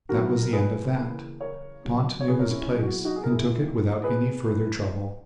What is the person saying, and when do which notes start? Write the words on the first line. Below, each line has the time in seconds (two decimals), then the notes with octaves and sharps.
That was the end of that, Pont knew his place and took it without any further trouble.
0.09 D#3 F#3 B3 F#4 A#4
0.43 A#4
0.53 G#4 B4
0.97 C#3 E3 A#3
1.40 A#4 C#5
1.84 C#3 F#3 A#3
2.20 C#5
2.28 G#4 B4
2.39 A#4 C#5
2.50 C#4 E4
2.61 C#4 E4
2.72 B2 F#3 A#3 G#4
2.83 F#4
2.94 E4
3.05 D#4 F#4
3.16 G#4
3.23 A#4
3.30 E4 G#4
3.60 D#3 A#3
4.04 G#4 B4